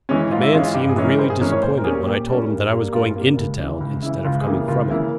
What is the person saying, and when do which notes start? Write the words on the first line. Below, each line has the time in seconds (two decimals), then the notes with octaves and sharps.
The man seemed really disappointed when I told him that I was going into town, instead of coming from it.
0.09 E3 G#3 C#4
0.31 G#2 F4
0.42 E4
0.53 E3 G#3 C#4 F4
0.64 F4
0.75 G2 G4
0.89 G#4
0.96 E3 G#3 C#4
1.04 A#4
1.18 G2 C5
1.30 G#4
1.40 E3 G#3 C#4 A#4
1.52 C#5
1.62 A#2 C5
1.77 A#4
1.84 G3 A#3 C#4 G#4
2.06 A#2 G4
2.28 G3 A#3 C#4
2.50 G2
2.72 G3 A#3
2.93 G2 F4
3.15 G3 A#3
3.37 C#2
3.59 C#3 E3
3.80 C#2
4.02 C#3 E3 E4
4.24 C#2 F4
4.41 G#4
4.46 C#3 E3 A#3 G4
4.68 C#2 F4
4.90 C#3 E3 A#3 E4